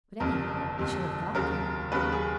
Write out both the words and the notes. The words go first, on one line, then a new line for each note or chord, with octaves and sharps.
But, anyhow, I shall have got there.'
G1 F2 C3 A#4
G1 F2 C3
D#2 C#3 F#3 A#4
D#2 C#3 F#3 B4
G#4